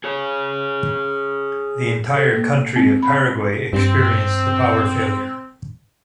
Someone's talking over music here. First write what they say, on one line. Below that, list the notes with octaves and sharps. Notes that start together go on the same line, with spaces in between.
The entire country of Paraguay experienced the power failure.
G#4 C#5
A4
A#3
C4
B5
G2 C4